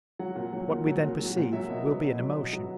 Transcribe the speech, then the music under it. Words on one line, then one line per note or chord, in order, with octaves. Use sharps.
What we then perceive will be an emotion.
F#3 F#5
A#2
F#3
A#2
F#3
A#2
F#3
A#2
F#3 E5
B2
F#3
B2
F#3
B2
F#3